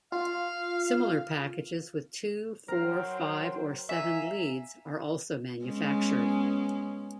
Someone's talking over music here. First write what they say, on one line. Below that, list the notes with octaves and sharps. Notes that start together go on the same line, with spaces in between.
Similar packages with two, four, five or seven leads are also manufactured.
F4 F5
F#3 A#4 C5 F5 G5
E5 F5 G#5 A#5
G#3 B3 C#4